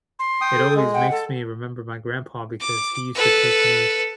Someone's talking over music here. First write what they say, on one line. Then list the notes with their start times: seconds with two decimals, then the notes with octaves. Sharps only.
It always makes me remember my grandpa because he used to take me,
0.19 C6
0.41 G5 D#6
0.56 A4
0.75 G#3
0.94 F#5 G5
1.11 A4
2.60 D6
3.15 A4 B4